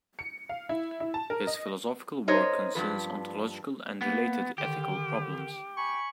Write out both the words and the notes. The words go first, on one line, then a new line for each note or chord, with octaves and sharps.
His philosophical work concerns ontological and related ethical problems.
C#7
F5
E4
E4
A5
A#4
D#5
D#4 A#4 C5 C#5 D#5
G2 B2 F3 B4
A#3 B3
D3 D#3 G4
G#5 B5 C#6